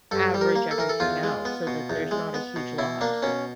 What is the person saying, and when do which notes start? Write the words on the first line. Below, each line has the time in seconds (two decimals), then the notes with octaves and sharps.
average everything out so that there's not a huge loss.
0.11 G2 A4
0.34 G3
0.41 A#4
0.55 A#3
0.71 A4
0.78 E3 A#4
0.89 A4
1.00 E2 F4
1.23 G#3
1.45 B3
1.67 B2
1.90 E2
2.11 G#3
2.34 B3
2.56 B2
2.78 B2 E4
3.01 A#3 D4
3.22 B2 C#4